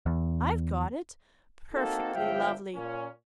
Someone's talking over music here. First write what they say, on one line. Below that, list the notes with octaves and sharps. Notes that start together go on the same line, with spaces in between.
'I've got it! perfectly lovely!
E2
A#3 C4 D#4 F#4 A4
G1 A2 F3 E5 F5 G5
A#2 C#4